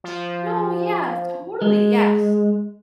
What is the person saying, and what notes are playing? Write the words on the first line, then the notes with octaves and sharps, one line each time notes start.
No, yeah, totally, yes.
F3
G#3